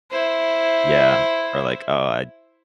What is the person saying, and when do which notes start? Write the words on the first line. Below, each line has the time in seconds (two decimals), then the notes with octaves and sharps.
Yeah, or like, oh, I
0.11 E4 C5